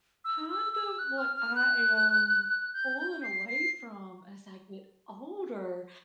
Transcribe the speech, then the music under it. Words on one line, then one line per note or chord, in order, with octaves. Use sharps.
kind of what I am pulling away from as I get older
E6
E6
E6
F#6
F6
F6
F#6
F#6
G6
G6
C7
C7